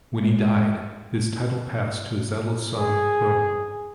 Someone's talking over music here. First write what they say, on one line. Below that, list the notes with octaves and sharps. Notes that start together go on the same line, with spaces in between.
When he died, his title passed to his eldest son Willem.
G#3
G#4